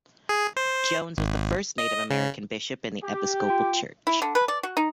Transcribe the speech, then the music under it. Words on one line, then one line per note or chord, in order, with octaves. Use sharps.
Jones was the first Native American bishop in the Episcopal Church.
G#4
C5
G#1
D#5
C#3
G4
F4 G5
E4
D3
B4
D5
F#4
D#4